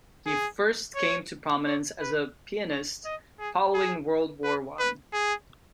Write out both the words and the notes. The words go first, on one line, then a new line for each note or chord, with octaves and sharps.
He first came to prominence as a pianist following World War One.
G#4
C#5
C#5
B4
C#5
D#5
G#4
G#4
B4
B4
G#4